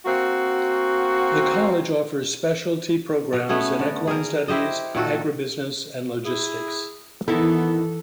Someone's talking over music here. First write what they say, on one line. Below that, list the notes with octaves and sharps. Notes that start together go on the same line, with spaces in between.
The college offers specialty programs in equine studies, agribusiness, and logistics.
A#3 C4 F#4
B2
A3 B3 C#4 G#4
D3
G#4 A#4
E4 G4 C5 D#5
A#2 D#3 F#4 A4
E4 G#4
D#3 E3 B3 E4 A4